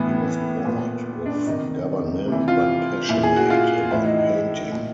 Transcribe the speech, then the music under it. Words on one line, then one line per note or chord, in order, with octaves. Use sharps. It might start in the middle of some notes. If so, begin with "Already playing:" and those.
He was bored with government, but passionate about painting.
Already playing: A2 E3 B3
A#2
D4
C3 D#3 D#4
C3 E3
F4
A#2 E4
G#4
F#4
F4
A2 E3 E4
D#4
D#4
A#2